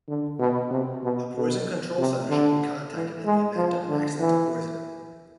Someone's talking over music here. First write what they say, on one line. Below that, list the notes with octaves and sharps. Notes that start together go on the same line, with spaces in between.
A poison control center should be contacted in the event of an accidental poisoning.
D3
B2
C3
B2
B2
C3
D3
E3
G#3
F3
D3
E3